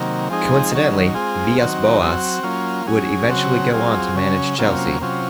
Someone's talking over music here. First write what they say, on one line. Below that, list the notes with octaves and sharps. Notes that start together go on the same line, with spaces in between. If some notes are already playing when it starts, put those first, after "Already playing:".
Coincidentally, Villas-Boas would eventually go on to manage Chelsea.
Already playing: C3 D#3 F#3 A#3
F3 G#3 C4 D#4 G#4
D#3 F#3 C#4
G#3 C4 F4 G#4
D#3 F#3 C4 F#4
F#3 C4 F#4
F#3 A#3 C#4 F4
F#3 C#4 G#4
C#3 F#3 C4 F#4
F#3 C4 F4 G#4
C#3 F#3 C#4
C3 F#3 A#3 C#4 F4
C3 F#3 C#4 F4